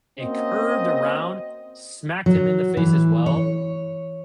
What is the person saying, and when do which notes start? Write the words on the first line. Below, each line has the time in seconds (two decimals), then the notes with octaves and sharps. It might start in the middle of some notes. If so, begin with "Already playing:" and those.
it curved around, smacked him in the face as well,
0.19 A#3 C4 C#4 F#4 C5 D#5
2.26 F#3
2.77 E3
3.26 C#5